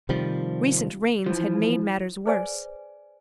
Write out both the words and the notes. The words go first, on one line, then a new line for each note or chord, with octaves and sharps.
Recent rains had made matters worse.
C3 D#3 F3 G3
E3 F3
G#4 B4 C5 D5 G#5